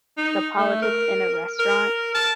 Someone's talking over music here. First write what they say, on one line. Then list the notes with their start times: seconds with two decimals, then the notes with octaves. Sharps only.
the politics in a restaurant,
0.18 D#4
0.58 A3
0.82 A#4
1.59 A#4
2.15 A5